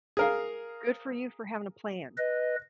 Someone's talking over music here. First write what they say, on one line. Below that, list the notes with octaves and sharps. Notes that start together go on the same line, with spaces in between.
Good for you for having a plan.
G#4 A#4 F5
B4 D#5